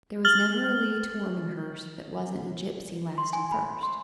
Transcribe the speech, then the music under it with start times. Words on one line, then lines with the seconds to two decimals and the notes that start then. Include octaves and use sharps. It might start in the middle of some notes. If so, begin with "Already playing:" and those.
'There was never a Lee to Warminghurst That wasn't a gipsy last and first.
0.25 F6 A6 F#7 G7
3.18 C6
3.33 G#5
3.52 B5
3.83 C6